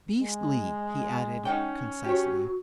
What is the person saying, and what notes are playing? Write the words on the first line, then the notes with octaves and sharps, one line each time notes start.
"Beastly!" he added concisely.
G#3
C#4 D#4 F#5 G5
F#4 G4 C#5